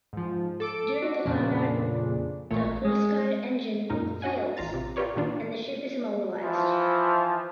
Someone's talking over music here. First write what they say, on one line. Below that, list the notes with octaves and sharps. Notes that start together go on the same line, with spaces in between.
During the combat the "Huascar" engine fails and the ship is immobilised.
G#2 F3
A4 D6 D7
F#4
F2 A#2 C#3 D4
A1 A#2 A3 C#5
G#3
F#2 A#2 D#4 A#4
D4 F#4 D#5 F#5 G#5
A1 F4 A#5 A6
C3
F4 G4 A#4 B4 C#5 D5
A#2 D#3 D4 F4
E3 F3